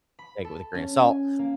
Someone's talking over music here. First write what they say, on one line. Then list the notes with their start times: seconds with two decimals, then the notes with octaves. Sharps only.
take it with a grain of salt.
0.19 B5
0.44 A4
0.75 C#4
0.96 G#5
1.39 A#3